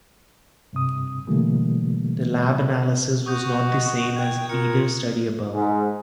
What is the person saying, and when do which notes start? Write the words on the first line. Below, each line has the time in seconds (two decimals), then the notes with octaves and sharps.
Their lab analysis was not the same as either study above.
0.73 G2 C3 D#6
1.27 B2 D3 E3 G3 A3 A#3
3.26 F#4 C#6 D#6 G6
3.68 D#5
4.16 G5 F#6 G#6
4.49 F4 A#4 C#7
5.53 G#2